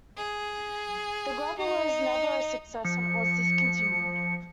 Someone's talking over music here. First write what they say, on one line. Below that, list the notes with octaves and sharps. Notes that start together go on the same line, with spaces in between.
The "Gravel" was never a success and was discontinued.
G#4
D#4
F3 C#7